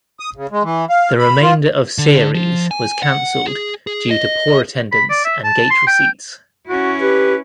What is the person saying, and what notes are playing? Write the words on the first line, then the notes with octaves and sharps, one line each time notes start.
The remainder of series was cancelled due to poor attendance and gate receipts.
D#6
C#3
G#3
E3
F5
B5
F4
D3
F3
G#5
F#5
G#4
G#4
D#5
B5
D5
E5
A5
C6
G5
C#4 E4 F#4
G4 B4